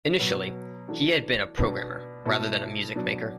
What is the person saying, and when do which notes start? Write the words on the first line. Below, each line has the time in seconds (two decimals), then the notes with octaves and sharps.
Initially, he had been a programmer, rather than a music maker.
0.19 B2 F#3 B3
0.88 E3 D4 F#4 A4
1.57 B2 B3 D4
2.26 B2 A3 E4 A4
2.95 B2 F#3 D4